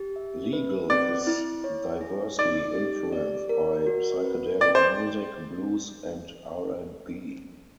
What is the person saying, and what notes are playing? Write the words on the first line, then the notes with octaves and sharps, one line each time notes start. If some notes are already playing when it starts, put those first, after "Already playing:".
"Legal" is diversely influenced by psychedelic music, blues, and R and B.
Already playing: G4
E5
B4
C4 D5
E4
C#5
G#4
D#4 D5
G4
D5
A#4
F#4
B4
D5 G5
C5